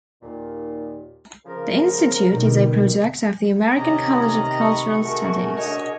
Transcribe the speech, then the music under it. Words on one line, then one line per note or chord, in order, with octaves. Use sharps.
The Institute is a project of the American College of Cultural Studies.
D#2 A#2
C#3 F3 A#4
B2 D3 D#3 G3
C3 D#3 C#4 D4 D#5 A#5 C#6
B5 C#6 D#6
A3 F#4 G#4 A#4
D4 C#5 D#5